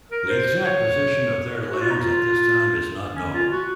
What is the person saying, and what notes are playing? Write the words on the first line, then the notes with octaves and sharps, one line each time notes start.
The exact position of their lands at this time is not known.
A#4
C5
C#5
F#4
F4
D#4
F4
C#4
F4
F#4